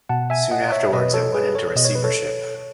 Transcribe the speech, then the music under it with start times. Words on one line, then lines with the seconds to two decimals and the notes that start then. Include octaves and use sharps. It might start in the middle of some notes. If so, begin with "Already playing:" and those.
Soon afterwards it went into receivership.
0.09 B2 F#5 A5
0.30 E5 G#5
0.51 D#5 F#5
0.72 C#5 E5
0.93 B2 B4 D#5
1.13 A4 C#5
1.34 G#4 B4
1.55 A4 C#5
1.76 B2 D#5
1.85 C#5
1.95 B4
2.04 A4 C#5